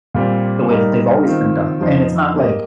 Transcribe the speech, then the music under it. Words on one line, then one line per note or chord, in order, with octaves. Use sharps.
the way that they've always been done?" And it's not like,
A#2 G3 C4
G3 A#3 D#4 A#4
D#3 C4 F4
F2 F3 D#4 C5
A#3 G4 D#5